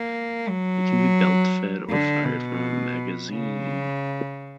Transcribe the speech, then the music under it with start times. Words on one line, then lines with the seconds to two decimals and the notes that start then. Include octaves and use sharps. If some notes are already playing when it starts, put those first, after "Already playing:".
It can be belt fed or fired from a magazine.
Already playing: A#3
0.48 F#3
1.89 D3
2.25 B2
3.31 C#3